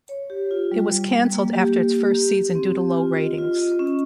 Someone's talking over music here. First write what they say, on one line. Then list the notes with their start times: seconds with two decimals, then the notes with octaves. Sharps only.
It was cancelled after its first season due to low ratings.
0.09 C#5
0.30 G4
0.51 F4
0.71 G3
0.91 G3
1.13 G3
1.33 A#3
1.53 G4
1.73 A#3
1.94 G4
2.15 G4
2.35 G4
2.55 C4
2.77 G4
2.97 F4
3.17 D#5
3.38 F4
3.58 D#5
3.79 C#4